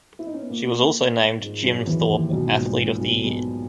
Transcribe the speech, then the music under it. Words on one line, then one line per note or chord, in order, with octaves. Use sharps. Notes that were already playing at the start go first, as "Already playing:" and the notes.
She was also named Jim Thorpe Athlete of the Year.
E4
D#4
C#4
B3
A#2 A#3
G#2 G#3
F#2 F#3
E2 E3
D#2 D#3
B1 B2
G#2
A#2
G#2
A#2
B1 B2
B1 B2